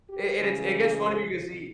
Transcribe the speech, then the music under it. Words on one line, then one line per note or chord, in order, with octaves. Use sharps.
It it's it gets funny because he
G4
C#3 E3 G#3 G#4